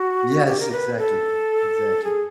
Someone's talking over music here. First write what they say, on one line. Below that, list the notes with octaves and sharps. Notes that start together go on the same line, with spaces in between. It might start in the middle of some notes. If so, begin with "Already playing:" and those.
Yes, exactly, exactly.
Already playing: F#4
G4
A#4
B4
A4
G#4